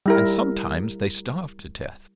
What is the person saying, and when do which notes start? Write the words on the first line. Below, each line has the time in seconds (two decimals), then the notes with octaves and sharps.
And sometimes they starve to death.
0.06 G3 E4 A#4